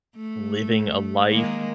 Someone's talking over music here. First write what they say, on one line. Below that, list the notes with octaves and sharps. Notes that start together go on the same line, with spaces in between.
living a life
A3
D#3 G#3 A#3